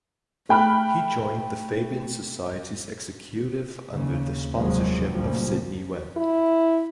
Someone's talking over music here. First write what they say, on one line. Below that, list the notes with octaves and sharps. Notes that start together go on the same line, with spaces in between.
He joined the Fabian Society's executive under the sponsorship of Sidney Webb.
A3 G5 B5 F6 F#6
D#2 C#3
F1 D#2 F3 F#3 G#3
F#1 D2 A#2 F3 G3
E4